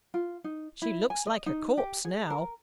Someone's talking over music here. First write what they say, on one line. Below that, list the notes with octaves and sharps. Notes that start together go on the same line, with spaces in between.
She looks like a corpse now.'
F4
D#4
E4
G#5
D#5
D#4
G4
G#4
A#4